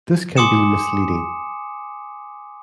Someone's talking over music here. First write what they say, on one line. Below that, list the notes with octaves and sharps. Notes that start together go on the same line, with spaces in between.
This can be misleading.
G#5 C6 D6 D#6 C#7 E7